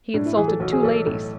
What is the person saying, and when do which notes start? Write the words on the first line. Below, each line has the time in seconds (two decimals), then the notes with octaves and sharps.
He insulted two ladies.
0.14 A2 D4
0.26 E4
0.37 E3 G#4
0.48 A4
0.60 B1 F#4
0.73 G#4
0.83 B1 A4
1.06 A2 A4